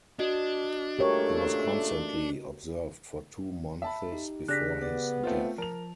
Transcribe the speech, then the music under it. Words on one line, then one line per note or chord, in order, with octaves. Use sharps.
He was constantly observed for two months before his death.
D4 F#4 D#5
A#2 C#3 A3 G4 A#4 C#5
E5 A5 B5
D#4 G4
C#3 D4 G4 G#4 F#6 A#6 B6
B3 D5
A3 C4 F4
F3 A#4 A5 F7